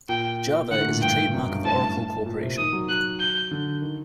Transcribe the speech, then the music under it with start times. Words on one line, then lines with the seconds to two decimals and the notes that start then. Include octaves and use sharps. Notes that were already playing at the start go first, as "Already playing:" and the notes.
"Java" is a trademark of Oracle Corporation.
0.09 A#2 G5
0.71 D3 F#5
0.81 A2
0.86 A#2
1.02 G2 G5
1.34 F#2
1.49 G2
1.65 A2 A5
2.26 A#2
2.42 C3
2.58 D#3 D#6
2.73 F#3
2.88 F#3 F#6
3.20 G6
3.51 D3
3.82 D#3